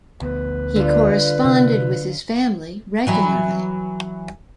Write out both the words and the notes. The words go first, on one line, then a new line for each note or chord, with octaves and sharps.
He corresponded with his family regularly.
D2 B3 B4
D3 G3 F4
C3
E3 F#3 E4